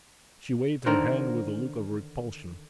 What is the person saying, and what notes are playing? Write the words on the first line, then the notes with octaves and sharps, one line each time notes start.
She waved her hand with a look of repulsion.
D3 D#3 A#4 C5